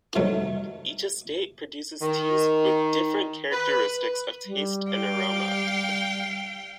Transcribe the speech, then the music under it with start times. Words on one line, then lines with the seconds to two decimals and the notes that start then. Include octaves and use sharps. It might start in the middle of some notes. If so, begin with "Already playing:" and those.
Each estate produces teas with different characteristics of taste and aroma.
0.15 G2 C3 D#3 F#3 A3
2.02 D#3
3.52 B4
4.46 G3
4.91 F5 G5